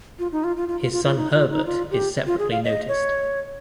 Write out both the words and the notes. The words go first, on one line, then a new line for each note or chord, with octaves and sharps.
His son Herbert is separately noticed.
F4
D#4
F4
F4
F4
F4
F4
F4
D#4
F4
D#4
F4
G4
F4
G#4
F5
D#5
C#5